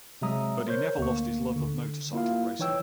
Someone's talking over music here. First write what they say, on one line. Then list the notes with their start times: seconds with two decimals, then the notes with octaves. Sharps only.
But he never lost his love of motorcycle racing.
0.22 C3 F#3 G#3 E5 A#5 D#6
0.66 A#4 C5 C#5 G6
0.98 D2 A#3 C#6
1.56 D3
2.13 A#3 E4 F4 F5
2.59 E3 D#4 C#5 G5 E6